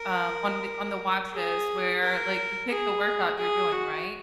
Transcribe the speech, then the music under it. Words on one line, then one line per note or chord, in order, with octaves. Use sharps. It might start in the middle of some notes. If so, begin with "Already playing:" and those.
um, on the on the watches where, like, you pick the workout you're doing, right?
Already playing: A#4
G#4
A#4
G#4
G#4
F#4